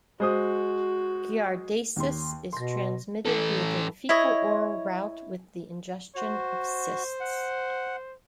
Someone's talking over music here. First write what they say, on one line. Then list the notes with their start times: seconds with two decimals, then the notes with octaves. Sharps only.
Giardiasis is transmitted via the fecal-oral route with the ingestion of cysts.
0.20 G#3 F#4 C5 D#6
1.96 D#2 C6
2.53 B2 C6 A#6
3.26 E3 A4
4.09 E4 C#5 D#5
6.16 F#4 C5
7.20 F#5